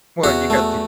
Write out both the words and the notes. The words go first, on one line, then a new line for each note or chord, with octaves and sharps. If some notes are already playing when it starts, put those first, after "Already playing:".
Well, you got the
E2 F#4
A3